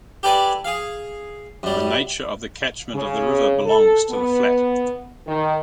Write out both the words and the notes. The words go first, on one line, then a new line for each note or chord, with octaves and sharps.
The nature of the catchment of the river belongs to the flat.
G4 A4 B4 D5 G#5
G#4 F5
F#2 G3
C#3
A4
B3
D#3